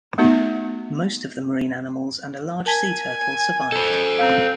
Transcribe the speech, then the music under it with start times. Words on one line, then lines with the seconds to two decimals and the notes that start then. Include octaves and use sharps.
Most of the marine mammals and a large sea turtle survived.
0.18 A3 B3 D#4 F#4
2.66 A#4 G#5 A5 B6
3.72 A4 C5 G6
4.19 C4 F5 A#5